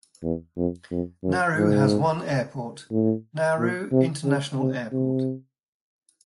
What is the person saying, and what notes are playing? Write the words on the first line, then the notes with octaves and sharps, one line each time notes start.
Nauru has one airport, Nauru International Airport.
E2
F2
F2
F#2
G#2
A2
A#2
C3
C#3
C3
C3